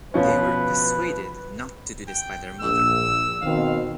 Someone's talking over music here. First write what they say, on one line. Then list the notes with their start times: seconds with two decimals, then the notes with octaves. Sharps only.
They were persuaded not to do this by their mother.
0.14 B2 F3 C#4 B4
2.08 G5
2.61 A#1 E6
3.42 B2 D#3 C4 F5